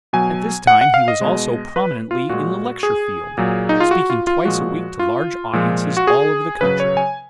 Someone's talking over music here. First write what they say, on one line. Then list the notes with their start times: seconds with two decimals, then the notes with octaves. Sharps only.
At this time he was also prominently in the lecture-field, speaking twice a week to large audiences all over the country.
0.13 B2 F#3 G#5
0.67 F#5
0.81 F#5
0.94 F5
1.08 D#5
1.21 B2 G#3
1.76 B4
2.11 F4
2.29 A#2 G#3 F#4
2.83 G#4
3.38 A#2 F#3
3.69 D#4
3.80 F4
3.91 F#4
4.10 F4
4.27 F4
4.45 A#2 F3 G#3 F#4
4.99 F4
5.53 A#2 F3 G#3
5.97 F#4
6.07 G#4
6.61 C#3 F#3 B4
6.80 C#5
6.97 G#5